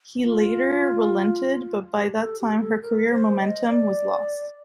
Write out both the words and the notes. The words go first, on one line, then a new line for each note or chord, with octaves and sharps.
He later relented but by that time her career momentum was lost.
F4
G4
A4
G4
A4
A#4
C5
D#5
D5